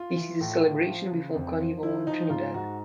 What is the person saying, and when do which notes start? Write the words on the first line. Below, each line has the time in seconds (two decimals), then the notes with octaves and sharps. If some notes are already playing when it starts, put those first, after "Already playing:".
This is the celebration before Carnival in Trinidad.
Already playing: F4
0.17 E3
0.41 A2
0.64 A2
0.89 F3
1.12 C#3
1.35 F2
1.59 F3
1.83 F3 E4
2.07 F3 D#4
2.29 G#2 F4
2.54 G#2 F#4